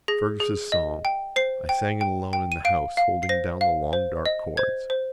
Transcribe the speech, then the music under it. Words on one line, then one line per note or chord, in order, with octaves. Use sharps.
Fergus' song: I sang it alone in the house, holding down the long dark chords.
G#4 A#6
G#4
D#5
G5
C5 C7
G5
G5
G5
D#7
F5 D7
F5
C7
C5 A#6
F5
C5
D#5
C5 G#6
C5